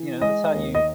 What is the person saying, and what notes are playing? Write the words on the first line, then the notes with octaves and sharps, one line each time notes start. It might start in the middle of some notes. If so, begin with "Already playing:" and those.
You know, that's how you
Already playing: E3
G#3 D#5
D#2
D#5